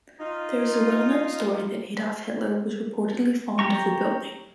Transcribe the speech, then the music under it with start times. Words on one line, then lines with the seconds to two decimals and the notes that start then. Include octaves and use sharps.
There is a well-known story that Adolf Hitler was reportedly fond of the building.
0.20 D#4 F4
3.59 G4 A#5 C#6